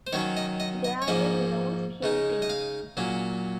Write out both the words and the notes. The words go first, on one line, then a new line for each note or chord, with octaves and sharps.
There was no skimping.
C5
D#3 F#3 C#4 C#5
D#5
D#5
D#5
C#5
G#2 F3 A#3 C#4 D#5
C#3 G#3 D#4
D#5
F5
A#2 F#3 C#4